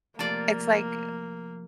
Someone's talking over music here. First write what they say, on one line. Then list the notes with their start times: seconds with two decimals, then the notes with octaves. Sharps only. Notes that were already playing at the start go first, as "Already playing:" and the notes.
it's like,
0.19 C3 F3 A3 A#3 F4 D5 A5